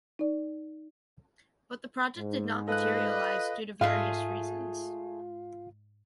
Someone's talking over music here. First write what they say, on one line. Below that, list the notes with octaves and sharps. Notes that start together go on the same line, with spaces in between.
But the project did not materialise due to various reasons.
D#4 D5
G#2
F4 A4 B4 D#5 F#6
G#2 G#3 A3 F4 G#4 F5